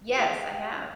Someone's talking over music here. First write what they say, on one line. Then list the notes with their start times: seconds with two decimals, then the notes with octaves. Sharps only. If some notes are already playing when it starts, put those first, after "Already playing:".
Yes, I have.
0.16 G4 G#4 F5 G5